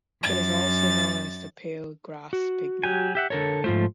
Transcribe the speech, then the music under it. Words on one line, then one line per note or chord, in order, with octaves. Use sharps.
It is also known as the pale grass pygmy.
F#2 A6
F#4
F#3 G4 G#5
G4 E5 F#5
D3 A4 A#4 C#5
G#2 F3 A3 F4 C5